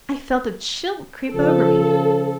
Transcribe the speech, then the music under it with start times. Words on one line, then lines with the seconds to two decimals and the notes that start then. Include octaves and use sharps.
I felt a chill creep over me.
1.32 C#3 F3 A4